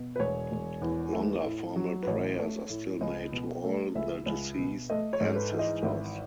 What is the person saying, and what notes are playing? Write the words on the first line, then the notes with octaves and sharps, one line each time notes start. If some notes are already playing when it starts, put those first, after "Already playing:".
Longer formal prayers are still made to all the deceased ancestors.
Already playing: B2
B4
E1 C#5
E1
E2
A3
A2
F#3
B4
A1 C#5
A3
A2
C#2 D#5
B2
A3
C#2 E5
C#2
B2
A3 D#5
C#5
G#2
B4
E3
D#5
G#1 E5